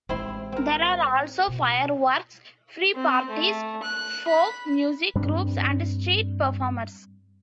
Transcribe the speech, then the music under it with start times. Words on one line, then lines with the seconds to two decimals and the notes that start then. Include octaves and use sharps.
There are also fireworks, free parties, folk music groups and street performers.
0.09 A1 G#3 C4 E4 C6
0.52 C4 A#4
1.48 B2 B3
2.94 C4
3.30 A3
3.83 F#6
4.27 B5
5.15 G2 G3 C4 D4